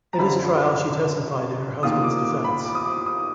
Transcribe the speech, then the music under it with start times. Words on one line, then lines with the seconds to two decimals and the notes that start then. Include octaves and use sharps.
At his trial she testified in her husband's defense.
0.13 A#5
0.18 F#2 D3 F3 B5
1.83 D#2 D#3 A#3 F4 D#6
2.04 D6
2.24 D6
2.44 B5
2.65 D6
2.75 D#6
2.85 D6
3.06 D#6